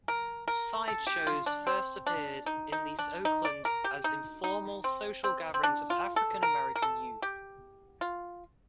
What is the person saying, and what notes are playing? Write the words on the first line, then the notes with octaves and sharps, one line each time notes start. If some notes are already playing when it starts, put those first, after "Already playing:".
Sideshows first appeared in Oakland as informal social gatherings of African-American youth.
A#4
A#4
A4
G4
F4
D4
C4
D4
D#4
D#4
D4
D#4
D5
A#4
G4
D#4
D#4
C4
C4
C4
D4
F4
A4
A#4
A#4
A4
G4
F4